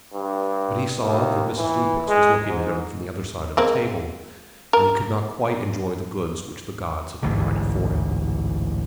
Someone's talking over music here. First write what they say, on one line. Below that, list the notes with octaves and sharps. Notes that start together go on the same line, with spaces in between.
But he saw that Mrs. Lupex was looking at him from the other side of the table, and he could not quite enjoy the goods which the gods had provided for him.
G2
D#2
E3
G#3
G#2
G#3 A#3 C4
A#4
A1 D2 G#2 D3